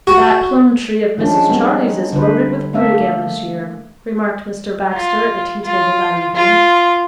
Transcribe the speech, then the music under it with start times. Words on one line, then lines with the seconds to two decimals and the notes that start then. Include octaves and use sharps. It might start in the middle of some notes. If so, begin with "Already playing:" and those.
"That plum tree of Mrs. Charley's is loaded with fruit again this year," remarked Mr. Baxter at the tea table that evening.
0.07 F#4
1.18 D#3 F3 G#3 C#4 D4
1.49 G3 G#3 B3 C4 D#4
2.13 D3 G3 B4 C5
2.73 A3 A#3 E5
4.93 F4
5.65 F4
6.36 F4